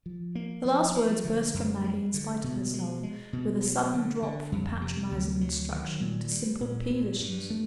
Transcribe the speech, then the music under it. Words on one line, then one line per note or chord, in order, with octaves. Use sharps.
The last words burst from Maggie, in spite of herself, with a sudden drop from patronizing instruction to simple peevishness.
F3
A#3
F3
F3
D3
F#2
G#3
D3
B2
G#3
G#3
B2
F#3
D3
D3
F2
C3
D2
F#3
D#3
A#2
G3
A#2
A#2
G2
A3